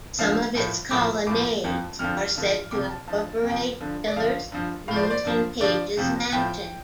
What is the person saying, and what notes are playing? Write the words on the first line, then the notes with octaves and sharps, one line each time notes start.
Some of its colonnades are said to incorporate pillars used in Page's mansion.
G2 D3 F3 F5
A2 F3
A2 F3 D6
A2 F3 D6
F2 F3
F2 D3 F3 F6
G2 D3 F3
F2 C3 F3 D6
A5
G2 F3 A5
F2 C3 F3
G2 D3 F3
D5
G2 D3 F3 F5
G2 F3
A2 F3 D5 F5
C5
D5
G2 F3
G2 D3 F3 D5
F2 C3 F3
A2 F3 G5